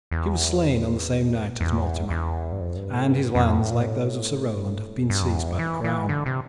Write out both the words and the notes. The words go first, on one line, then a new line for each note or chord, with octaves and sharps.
He was slain on the same night as Mortimer, and his lands, like those of Sir Roland, have been seized by the crown.
E2
E2
E2
G2
F2
G2
A2
G2
F2
A2
A#2
A2
F2
G2
F2
E2
F2
E3
E3
D3
C3